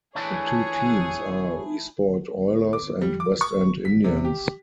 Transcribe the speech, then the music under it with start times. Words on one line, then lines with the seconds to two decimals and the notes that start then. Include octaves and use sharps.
The two teams are Esport Oilers and Westend Indians.
0.15 E3 A3 D4 G#4 C#5
2.73 D6
3.02 G3
3.20 D6
3.41 C#6
3.85 B6
4.04 C3
4.25 G4